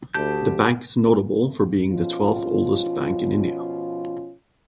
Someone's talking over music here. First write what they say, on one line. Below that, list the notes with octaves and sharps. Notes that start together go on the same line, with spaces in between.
The bank is notable for being the twelfth oldest bank in India.
D2 G4 A5 G6
B2 F3 C#4 F4